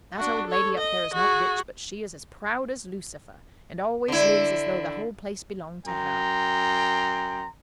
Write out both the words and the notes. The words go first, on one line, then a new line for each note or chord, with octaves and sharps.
That old lady up there is not rich, but she is as proud as Lucifer, and always lives as though the whole place belonged to her.
D4 F#4
A4 C#5
D#5
F#4 G#4
D3 E4
F#2 G5 A#5 C6